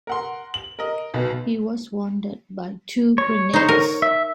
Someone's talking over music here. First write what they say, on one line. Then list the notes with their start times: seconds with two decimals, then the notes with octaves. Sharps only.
He was wounded by two grenades.
0.07 A#4 F#5 C6
0.54 F#7
0.79 A#4 D#5
1.14 B1 B2
3.18 C#5
3.53 D#4 C5
3.69 A#4
4.02 E5